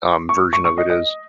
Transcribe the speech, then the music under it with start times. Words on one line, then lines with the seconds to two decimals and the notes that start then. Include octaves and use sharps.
um, version of it is.
0.29 C#6
0.53 C#6
0.65 C#6
0.78 D#5
0.90 D#5